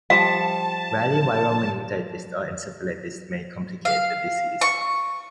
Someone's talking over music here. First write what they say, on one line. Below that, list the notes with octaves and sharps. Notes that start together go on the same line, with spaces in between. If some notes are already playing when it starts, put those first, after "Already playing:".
Rarely viral meningitis or encephalitis may complicate the disease.
F3 G3 F5 A5
F5
C#6